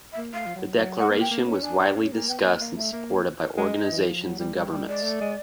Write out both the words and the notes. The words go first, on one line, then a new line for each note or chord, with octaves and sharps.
The Declaration was widely discussed and supported by organisations and governments.
E5
A#3
A3 F5
F3
F#3
F#3
G#3 F#5
B3
A#3
G5
A#3
C#4
D4 G#5
D4
C#4
A#3 G#5
B3 G5
A#3 F#5
A#3 F5
A3 E5
A#3
G#3 D#5
E3
F3
F#3
G3
G3
G3
G#3 D5
A3
G#3